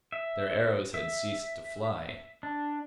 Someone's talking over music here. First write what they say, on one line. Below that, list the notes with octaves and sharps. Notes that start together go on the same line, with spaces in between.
Their arrows had ceased to fly.
E5
E5
D4